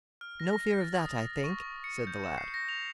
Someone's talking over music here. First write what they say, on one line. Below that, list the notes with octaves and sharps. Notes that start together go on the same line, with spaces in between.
No fear of that, I think,' said the lad.
F6
A#6
A#6
A6
D#6
C#6
C#7
G6
E7
C7
A#6
F7